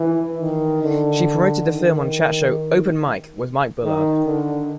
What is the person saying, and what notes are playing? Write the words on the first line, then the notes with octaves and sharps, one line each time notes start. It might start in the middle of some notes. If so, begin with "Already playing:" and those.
She promoted the film on chat show "Open Mike with Mike Bullard".
Already playing: E3
D#3
D3
D#3
D#3
D3